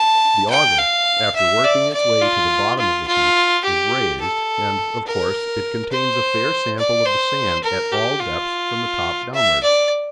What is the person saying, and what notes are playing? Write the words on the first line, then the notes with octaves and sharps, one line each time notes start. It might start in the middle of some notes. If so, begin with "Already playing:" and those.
The auger, after working its way to the bottom of the heap, is raised, and, of course, it contains a fair sample of the sand at all depths from the top downwards.
Already playing: A5
G5
F5
E5
D5
D5
F4
F4
F4
G4
A4
A#4
C5
D5
C5
A#4
G4
F4
E5
D5